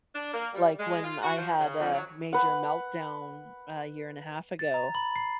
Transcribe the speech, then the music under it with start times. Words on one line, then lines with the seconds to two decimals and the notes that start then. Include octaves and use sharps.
Like, when I had a major meltdown a year and a half ago.
0.14 D4
0.33 A#3
0.53 G3
0.79 G#3
1.04 F4
1.23 F#4
1.37 F3
1.59 C#3
1.79 F2
1.93 F#3
2.33 B4 F#5
4.59 A6
4.74 A#5
4.95 B5
5.16 C7